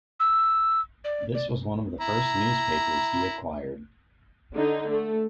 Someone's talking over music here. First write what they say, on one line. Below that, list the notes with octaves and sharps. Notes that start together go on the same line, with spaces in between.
This was one of the first newspapers he acquired.
E6
D5
D5
E4 A#5
D3 D#4
A3